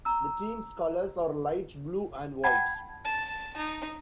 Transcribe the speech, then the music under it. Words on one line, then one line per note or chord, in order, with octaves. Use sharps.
The team's colors are light blue and white.
A#5 E6
F#5 G5 A5 B5 G#6
A5
D#4